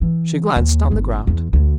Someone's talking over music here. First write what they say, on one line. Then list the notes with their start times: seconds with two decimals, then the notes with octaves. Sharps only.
She glanced on the ground.
0.01 E3
0.56 D#2
0.92 G1
1.27 E2
1.53 D2